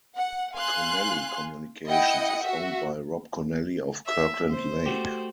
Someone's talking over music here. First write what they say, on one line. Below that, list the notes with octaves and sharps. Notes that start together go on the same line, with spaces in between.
Connelly Communications is owned by Rob Connelly of Kirkland Lake.
F#5
F5 G#5 C6 F#6
E4 D#5 F#5 G5 D#6 C#7
F#4 E5
E5
C5
A3 F#4 G4